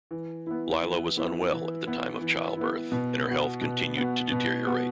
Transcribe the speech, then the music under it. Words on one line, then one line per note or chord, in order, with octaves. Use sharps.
Lila was unwell at the time of childbirth, and her health continued to deteriorate.
E3
B3 E4
E3
B3 E4
E3
B3 E4
E3
B3 E4
B2
B3 F#4
B2
B3 F#4
B2
B3 F#4